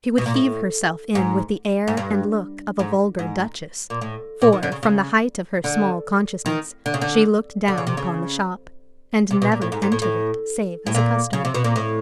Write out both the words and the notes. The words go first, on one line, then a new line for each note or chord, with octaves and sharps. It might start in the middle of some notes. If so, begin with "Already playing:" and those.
She would heave herself in with the air and look of a vulgar duchess; for, from the height of her small consciousness, she looked down upon the shop, and never entered it save as a customer.
B2
A#2
A2
G#2
G#2
G2
G#2
G#2
A#2
A2
A#2
D#3
D3
C#3
C#3
D3
D#3
D3
C#3
D3
D3
C#3
C3
C#3
C3
B2
A#2
A2
G#2
G#2
A2
A2
A2
A#2
C#3
C3
B2
A#2
A2